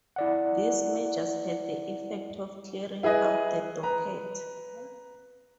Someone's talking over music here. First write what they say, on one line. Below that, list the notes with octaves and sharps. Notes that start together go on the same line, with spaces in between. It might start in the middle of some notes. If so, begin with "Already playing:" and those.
These measures had the effect of clearing out the docket.
E4 D5 F#5
E4 G#4 B4 D#5
B4 A#5